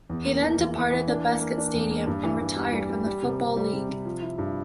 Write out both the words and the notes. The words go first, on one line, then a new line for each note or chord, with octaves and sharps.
He then departed the Bescot Stadium and retired from the Football League.
E2
A#3
E3
E2
E3
E3
D4
A#3
A#3
D4
E2
A#3
G2
E3
E3
G3
G3
G3
G3
C3
C3
G3
C3
C3
F3
E4
G2